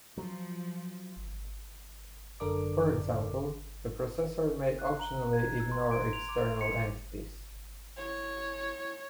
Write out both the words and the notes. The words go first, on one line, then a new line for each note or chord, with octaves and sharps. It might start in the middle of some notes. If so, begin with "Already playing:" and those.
For example, a processor may optionally ignore external entities.
F3 F#3
F#2 D3 A4 A#4 D5 D6
F#6
A#5
G#6
E6
C6
D7
F7
D6
C#7
E4 C#5